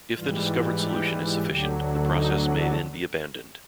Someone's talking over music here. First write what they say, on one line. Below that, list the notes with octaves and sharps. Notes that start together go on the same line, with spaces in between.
If the discovered solution is sufficient, the process may then be abandoned.
G#2 E3 G3 F4
F#4
G4
D2 D3 F#3 G4
D#4